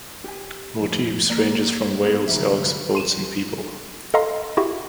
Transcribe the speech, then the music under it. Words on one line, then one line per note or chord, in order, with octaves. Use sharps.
Motifs ranges from whales, elks, boats and people.
G4 G#5
F2 A2
A#3 D5
B3 D#4 A4
D2 C3 F#3 G3 E5
C6 D#7 E7
A4 D#5 F5 A#5 C6
E4 F#4 G4